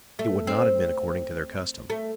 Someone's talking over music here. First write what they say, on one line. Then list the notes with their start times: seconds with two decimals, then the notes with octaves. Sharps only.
It would not have been according to their custom.
0.19 A3
0.47 C4
1.90 A3